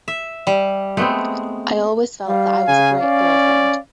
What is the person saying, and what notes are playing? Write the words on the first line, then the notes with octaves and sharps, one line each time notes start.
I always felt that I was a great girlfriend.
E5
G3
G#3 A3 B3 C4
G3 F5
C#3 G#5
C#4 D5